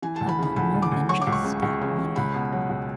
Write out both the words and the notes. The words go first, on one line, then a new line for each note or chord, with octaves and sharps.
I want more than just that money.
E3 G#5
A5
D2
B5
C#3 B5
D2 B5
D2
D6
D2
F#3 C#6
D6
C#2
C#6
C#3
C#2
C#3
C#3
C#2 B5
B2
F#3
C#2